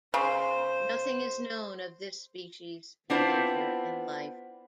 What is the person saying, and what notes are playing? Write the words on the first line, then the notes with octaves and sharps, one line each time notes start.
Nothing is known of this species' behavior in life.
C#3 C5
B3 C4 D4 E4 F4 C5